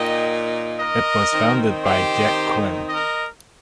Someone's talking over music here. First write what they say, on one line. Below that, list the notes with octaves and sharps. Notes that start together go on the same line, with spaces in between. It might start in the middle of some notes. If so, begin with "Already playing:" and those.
It was founded by Jack Quinn.
Already playing: A#2 A#3 D#4 D#5 G5
A#4 D#5
D#3 C4 D#4
G4 C5
A#4 D#5